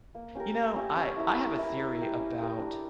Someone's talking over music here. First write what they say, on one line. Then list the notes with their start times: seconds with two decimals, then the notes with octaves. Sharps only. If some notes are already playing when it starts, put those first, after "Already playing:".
you know, I I have a theory about
0.15 A#3
0.35 C#4 G4 A#4
0.55 A#3
0.75 C#4 G4 A#4
0.96 C#4
1.17 E4 A#4 E5
1.37 C#4
1.57 E4 A#4 E5
1.77 C#4
1.97 G4 A#4
2.19 C#4
2.39 G4 A#4
2.60 D4